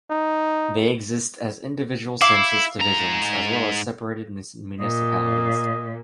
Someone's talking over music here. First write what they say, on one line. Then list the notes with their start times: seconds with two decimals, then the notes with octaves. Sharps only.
They exist as individual census divisions, as well as separated municipalities.
0.10 D#4
2.21 E4 F5 D6 E6
2.80 G#2 A#5
4.80 A#2 D#5